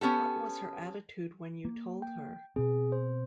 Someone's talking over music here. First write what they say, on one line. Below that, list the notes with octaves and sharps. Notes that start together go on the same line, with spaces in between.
What was her attitude when you told her?
B3 C#4 G4 A4
A#3
G5
B2 C4 G#4
C5